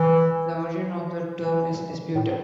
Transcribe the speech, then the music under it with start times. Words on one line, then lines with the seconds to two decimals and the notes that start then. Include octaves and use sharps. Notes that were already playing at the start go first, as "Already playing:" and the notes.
The origin of the term is disputed.
Already playing: E3
1.39 E3
2.15 A2